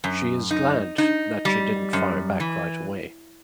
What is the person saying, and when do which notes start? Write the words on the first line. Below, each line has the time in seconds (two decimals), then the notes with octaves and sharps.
She is glad that she didn't fire back right away.
0.04 F#2
0.51 D#4
0.98 D#4
1.45 G3
1.93 F#2
2.40 E3